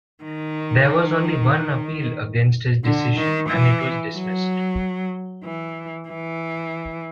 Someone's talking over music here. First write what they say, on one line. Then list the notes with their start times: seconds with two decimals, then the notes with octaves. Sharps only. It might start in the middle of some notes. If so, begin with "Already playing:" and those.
There was only one appeal against his decision, and it was dismissed.
0.24 D#3
2.84 D3
3.16 D#3
3.49 E3
4.14 F#3
5.44 E3
6.09 E3